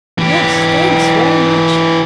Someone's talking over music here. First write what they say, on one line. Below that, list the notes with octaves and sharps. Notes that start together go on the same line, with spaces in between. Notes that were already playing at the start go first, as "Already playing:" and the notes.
'Yes, thanks, very much.
E3 G4